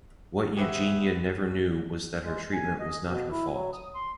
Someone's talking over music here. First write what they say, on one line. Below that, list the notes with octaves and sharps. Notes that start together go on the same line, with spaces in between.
What Eugenia never knew was that her treatment was not her fault.
D#3 B3 G4 G#4 B4 C5 E5
G#3
G#5
D#5
B2
E4
F#3
D#6
C6